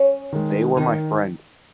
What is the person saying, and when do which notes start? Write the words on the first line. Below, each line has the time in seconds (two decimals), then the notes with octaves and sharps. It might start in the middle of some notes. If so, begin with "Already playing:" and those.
They were my friend.
Already playing: C#4
0.33 D#3 G#3
0.77 D#3 D#4